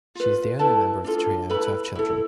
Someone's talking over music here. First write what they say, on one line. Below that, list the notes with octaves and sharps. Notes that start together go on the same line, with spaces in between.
She is the only member of the trio to have children.
F4 B4
E4 A4 B4 A5
D4 F4 A4
E4 A4 B4 B5
E4 A4